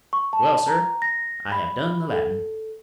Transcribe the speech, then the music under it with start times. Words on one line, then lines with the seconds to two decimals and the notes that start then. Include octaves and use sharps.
"Well, sir, I have done the Latin."
0.13 C#6
0.33 A5
0.68 A#5
1.02 A#6
1.52 B5
2.12 A4